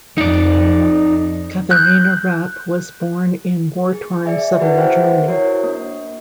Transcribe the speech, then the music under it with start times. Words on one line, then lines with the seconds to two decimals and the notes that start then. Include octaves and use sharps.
Katharina Rapp was born in war-torn southern Germany.
0.18 F2 D#4 D5
1.71 F#6 G6
3.92 G#4
4.26 G#4 D5 E5 G#5
4.58 E4 F#4 G#4 B4 F#5
4.77 C5 E5 F#5 G5
5.27 E4 F#4 A#4 C#5
5.64 A#3 D4